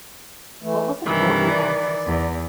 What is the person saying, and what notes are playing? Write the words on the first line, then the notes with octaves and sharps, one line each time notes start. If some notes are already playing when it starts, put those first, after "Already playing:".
What was a "Bulletin Board System"?
E3 A3
G2 C3 D#3 E3 G3
D5
E2